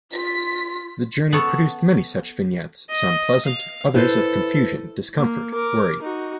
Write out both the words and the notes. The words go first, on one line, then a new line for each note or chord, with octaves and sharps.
The journey produced many such vignettes, some pleasant, others of confusion, discomfort, worry.
F4 B6
B3 A4 C#5
D#5
F5
E4 A4 B4 C5
A#3
A#4 D6
D#4 F#4